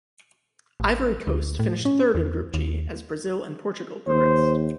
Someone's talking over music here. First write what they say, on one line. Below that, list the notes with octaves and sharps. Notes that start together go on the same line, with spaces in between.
Ivory Coast finished third in Group G, as Brazil and Portugal progressed.
A1
D2
A2
C#4
E2
D#2
D#2 C5